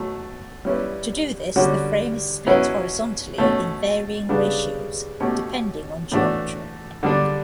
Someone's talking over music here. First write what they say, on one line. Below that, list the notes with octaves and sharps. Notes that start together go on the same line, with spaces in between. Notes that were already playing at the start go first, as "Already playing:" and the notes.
To do this, the frame is split horizontally in varying ratios depending on geometry.
Already playing: B2 F#3 A3
G3 C#4 E4 B4
D3 G3 C#4 F#4
B2 F#3 C#4 E4 B4
B2 A3 C#4
C#3 G3 B3 D4
B2 A3 C#4 G4 C#5
A2 E3 A3 D4 F#4
D3 G3 D4